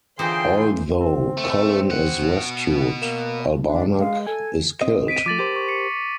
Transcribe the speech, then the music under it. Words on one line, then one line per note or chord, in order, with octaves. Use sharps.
Although Colin is rescued, Albanac is killed.
D3 E3 D#4 F4 G#4 C5 G5 C6
C4
A3
B2 F#5
A#3
D4
G2
G#3 F5
A4 G#5
C4 D#5
B6 D7 D#7
F3 A3 D6 A6 F#7
G4 A#4 C5 A6
C#6
C#7